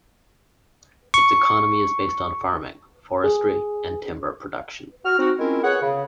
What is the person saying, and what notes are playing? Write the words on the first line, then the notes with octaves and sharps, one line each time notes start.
Its economy is based on farming, forestry and timber production.
C#6
G#4
F#4 F6
C4 D#4 F#4
G#3 C4 C#4 E4 F4 A#4
B3 G#4 C#5 F#5
C#3